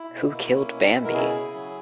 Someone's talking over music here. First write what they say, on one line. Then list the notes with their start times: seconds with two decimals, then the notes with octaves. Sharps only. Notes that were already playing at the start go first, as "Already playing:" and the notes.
Who killed Bambi?
Already playing: E4
0.11 B2
0.31 A#3
0.52 C#4
0.72 B2
0.93 B2
1.05 A#4
1.12 C#3 E4 G#4
1.33 C#3
1.54 F#3